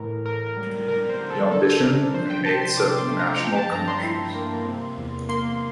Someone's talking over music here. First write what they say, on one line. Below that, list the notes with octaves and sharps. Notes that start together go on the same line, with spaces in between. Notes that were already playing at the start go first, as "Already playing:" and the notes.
He auditioned and made several national commercials.
Already playing: A2 E3 A#4
A2 A#4
A#4
G3
G3 A#4
C5
D3
A4
D3 A4
D4 A#4
F3 C5
G5
C3 A5
C6
C3 D6
D6
C6
A3
A#5
F3 G5
A5
G2 A#5
C6
E4
A#3
C3
E2
A#3 C6